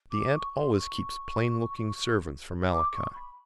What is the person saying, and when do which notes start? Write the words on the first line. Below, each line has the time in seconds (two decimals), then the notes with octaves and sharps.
The aunt always keeps plainlooking servants for Malachi.
0.12 D6
0.34 C#6
0.56 C6
0.78 C#6
2.73 D6
2.94 C#6
3.15 B5